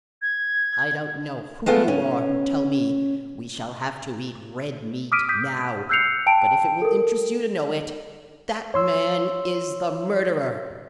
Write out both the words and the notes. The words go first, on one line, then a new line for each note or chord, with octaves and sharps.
"I don't know who you are who tell me 'We shall have to eat red meat--now'; but if it will interest you to know it--that man is the murderer!"
G#6
G#3 A3 B3 F4
C#4
D6 D#6 F6 B6 D7 D#7
D#6 G6 B6
E6 F#6 G6 C7 C#7 F7
G5 A5 D7
A4 A#4
C#5 C6 E6